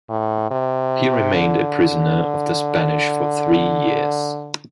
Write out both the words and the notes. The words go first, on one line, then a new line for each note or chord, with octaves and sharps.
He remained a prisoner of the Spanish for three years.
A2
C3
D3